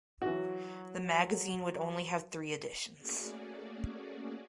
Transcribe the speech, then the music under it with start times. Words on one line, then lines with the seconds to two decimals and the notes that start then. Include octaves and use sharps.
The magazine would only have three editions.
0.22 E3 F#3 F#4
2.97 A3 A#3 C#4 F#4 G#4 D5